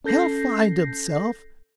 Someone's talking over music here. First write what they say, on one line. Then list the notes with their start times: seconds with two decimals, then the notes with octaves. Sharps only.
He'll find himself.
0.04 C#4 A4 G6 A#6 C7